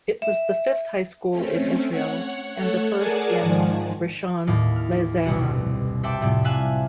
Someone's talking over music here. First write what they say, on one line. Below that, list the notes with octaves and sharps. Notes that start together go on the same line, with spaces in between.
It was the fifth high school in Israel and the first in Rishon LeZion.
E5
A3 C4 C#4
C#5 F#5
A3 A4 C#5 F#5
G#4 A#4 D5 F#5 G#5 A5
G#2 D#3 F3
D#2 A2 A#3
F6
G1 C2 B2 F#4
C5 E5 F#5 G5 A5 D6
F2 A2 C3 G3
E5 F5 G#5 A5 F6 F#6